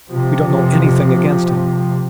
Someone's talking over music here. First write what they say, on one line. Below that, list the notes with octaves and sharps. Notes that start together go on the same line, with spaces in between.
"We don't know anything against him!"
C3 F3